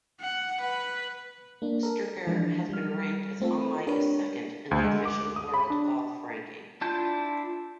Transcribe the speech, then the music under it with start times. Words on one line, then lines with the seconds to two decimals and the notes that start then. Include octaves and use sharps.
Stricker has been ranked as high as second in the Official World Golf Ranking.
0.20 F#5
0.61 B4
1.62 A#3 D4
1.83 A4 A#4
2.27 E3 F3 G#3 D4 E4
2.69 G3 F6
3.40 A3 C4 F4 A4
3.87 D4 G4 A#4 B4 C#5
4.71 D2
4.84 G#3
5.05 D6
5.36 D#6
5.54 B5
5.70 D4
6.81 D4 E4 F4 A5 G6